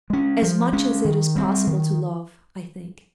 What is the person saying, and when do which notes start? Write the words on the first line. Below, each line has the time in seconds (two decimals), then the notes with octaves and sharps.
"As much as it is possible to love, I think."
0.10 G#3 C#4
0.42 F3
0.73 G#3 C#4
1.05 D#3
1.35 G3 C4
1.67 D#3